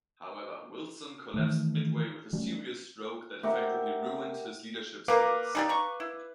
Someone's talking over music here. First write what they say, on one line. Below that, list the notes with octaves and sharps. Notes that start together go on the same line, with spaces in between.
However, Wilson collapsed midway with a serious stroke that effectively ruined his leadership skills.
D#3 E3 F#3 A3
F#3 G3 A3 C#4
G4 A#4 E5 F#5
A#3 A#4 B4 F5 D6
G3 G#3 D#4
A#5 C#6
E4